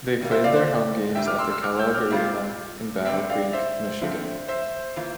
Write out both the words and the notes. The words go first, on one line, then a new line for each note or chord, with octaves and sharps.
They played their home games at the Kellogg Arena in Battle Creek, Michigan.
E2 E3 G3 A#3
C5 E5
D5 F5
C5
D5
E2 D3 G3 E5 G5
D6 F6
C6 E6
C6 E6
D6 F6
E6 G6
D6 F6
C3 G3 C4 F4
D3 G3 C4 E5 G5
D5 F5
C5 E5
D3 F3 A3 C4
C5 E5
E3 A#3 F4